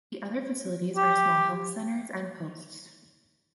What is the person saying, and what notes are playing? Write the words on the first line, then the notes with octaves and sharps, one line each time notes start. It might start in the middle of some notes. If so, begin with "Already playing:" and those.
The other facilities are small health centers and posts.
G4